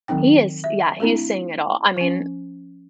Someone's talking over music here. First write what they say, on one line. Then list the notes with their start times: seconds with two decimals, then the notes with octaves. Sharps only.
He is, yeah, he's seeing it all, I mean,
0.08 D#3 F#3 C4 D#4 G5
0.64 E5
1.00 A3 C4 D4 E4
1.96 F3 C#4